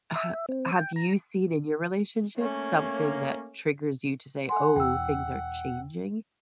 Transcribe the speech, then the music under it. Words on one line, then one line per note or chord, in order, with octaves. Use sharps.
ha have you seen in your relationship, something that triggers you to say, "Oh, things are changing?"
E5
C4
G5
A#5
A3 A#3 C#4 C#5
A4 F#5 G#5 C6
E1 E2 E3 G5 E6